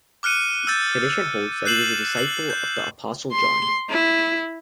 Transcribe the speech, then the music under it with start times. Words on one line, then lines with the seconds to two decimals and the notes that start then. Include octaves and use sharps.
Tradition holds that he was a disciple of the Apostle John.
0.23 D6 F6 F#6 C#7 D#7
0.67 E6 F#6 G6 A6
1.65 F#6 G6 C7 E7 F#7
2.15 F#6 C7 F#7
2.50 G6
3.33 C6
3.90 E4